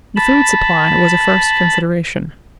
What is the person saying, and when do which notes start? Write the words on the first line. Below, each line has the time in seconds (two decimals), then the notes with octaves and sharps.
The food supply was a first consideration.
0.16 A5 B5